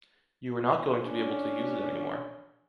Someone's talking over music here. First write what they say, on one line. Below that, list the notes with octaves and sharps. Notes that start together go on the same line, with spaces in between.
You were not going to be able to use it anymore.
C#4 D4